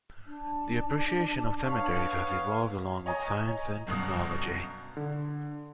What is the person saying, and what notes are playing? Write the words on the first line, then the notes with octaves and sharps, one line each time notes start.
The appreciation of cemeteries has evolved along with science and technology.
D4 A5
B3 C#5 F5
C#5 D#5 G#5 A#5
G1 F#2 B2 D#6
D3